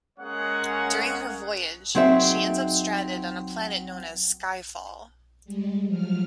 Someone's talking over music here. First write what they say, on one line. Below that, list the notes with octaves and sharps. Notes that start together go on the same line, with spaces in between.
During her voyage, she ends up stranded on a planet known as Skyfall.
G#3 A#3 C#4 G#4 C#5 F#5
F#3 C4 D#4 G#4 E5
G3 G#3
F3 F#3 F6